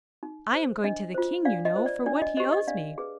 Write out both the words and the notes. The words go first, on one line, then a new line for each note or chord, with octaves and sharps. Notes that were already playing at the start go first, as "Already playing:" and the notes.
'I am going to the King, you know, for what he owes me.'
D#4
G#4 C5
D4 D#5
F4 C5
D4 D5 F5
D#5
F4 C5
D5
D4 D5
D#5
G4 C5 D#5
D#5
D4 D5 F5
G#4 B4